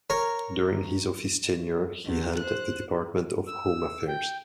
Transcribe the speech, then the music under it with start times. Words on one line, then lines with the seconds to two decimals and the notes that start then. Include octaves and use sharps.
During his office tenure he held the Department of Home Affairs.
0.10 A#4 C#5
2.04 E2
2.38 C5 F#6
3.47 E6
4.08 G5